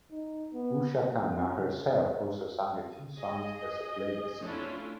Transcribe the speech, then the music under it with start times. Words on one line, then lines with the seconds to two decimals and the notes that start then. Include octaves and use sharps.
Usha Khanna herself also sang a few songs as a playback singer.
0.11 D#4
0.53 B3
0.97 A#3
1.45 C#3
3.17 G#4 D#5
4.42 A3 C#4 D4 E4 F4